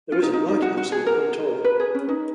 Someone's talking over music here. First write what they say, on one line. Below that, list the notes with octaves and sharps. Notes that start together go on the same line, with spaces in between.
There is a lighthouse on Po Toi.
F4
D#4
D#4
D#4
F#4
F#4
G#4
A#4
B4
G#4
C#4
D#4